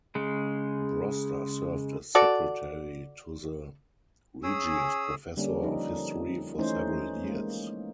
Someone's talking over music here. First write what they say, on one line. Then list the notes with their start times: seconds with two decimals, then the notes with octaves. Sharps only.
Broster served as secretary to the Regius Professor of History for several years.
0.15 C#3 G#3
2.15 F#4 A4 D5
4.43 C#4 G#4 D#6 E6
5.37 D3 G3 A#3 C#4 D4
5.62 F3 D#4
6.58 E3 A3 C#4 D#4 C5
7.24 G#3 A#3